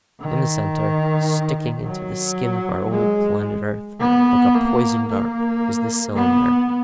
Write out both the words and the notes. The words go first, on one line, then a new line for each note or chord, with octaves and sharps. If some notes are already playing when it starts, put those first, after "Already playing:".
In the centre, sticking into the skin of our old planet Earth like a poisoned dart, was this cylinder.
D#3
F#3
G#3
B3
A#3
A#3
B3